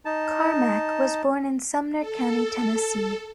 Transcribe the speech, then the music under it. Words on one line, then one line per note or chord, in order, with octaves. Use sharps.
Carmack was born in Sumner County, Tennessee.
D#4 A5
A4